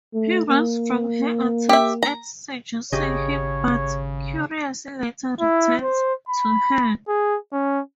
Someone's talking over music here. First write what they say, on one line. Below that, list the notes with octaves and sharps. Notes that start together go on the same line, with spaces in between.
He runs from her attempts at seducing him but, curious, later returns to her.
A3
A#3
G4 E5
A#5
G#1 C#3 G4 G#4 C#5 D#5
E4
C5
B5
G#4
C#4